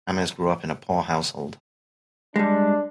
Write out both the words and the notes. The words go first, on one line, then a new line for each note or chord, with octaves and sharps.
Ames grew up in a poor household.
G3 G#3 D4